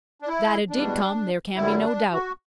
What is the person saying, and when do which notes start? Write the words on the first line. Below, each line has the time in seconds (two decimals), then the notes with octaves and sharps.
That it did come there can be no doubt.
0.22 D4
0.28 E4
0.71 E2 B2 G3 D4
1.55 F#2 D3 G3 E4
1.84 D4
2.13 F#4